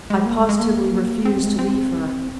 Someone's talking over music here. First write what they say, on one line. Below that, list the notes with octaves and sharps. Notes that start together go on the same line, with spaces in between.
I positively refused to leave her.
G#3
A#3
G#3
G#3
A#3
C4
G#3
C4